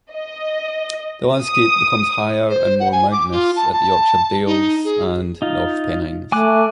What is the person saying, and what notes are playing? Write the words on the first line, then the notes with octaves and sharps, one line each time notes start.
The landscape becomes higher and more mountainous at the Yorkshire Dales and North Pennines.
D#5
D#6
C5
F#5
G#5
D6
F4
A5
A5
D#4
G#4
D#4 F4
A3 G#5 D6 F#6